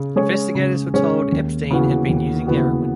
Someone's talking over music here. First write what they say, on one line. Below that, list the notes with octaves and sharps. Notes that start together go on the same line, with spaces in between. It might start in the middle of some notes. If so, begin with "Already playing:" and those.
Investigators were told Epstein had been using heroin.
Already playing: C#3
G#3 C#4 G#4 C#5
C#3
G#3 C#4 G#4 C#5
D#2
C#3 E3 B3 F#4
D#2
C#3 E3 B3 F#4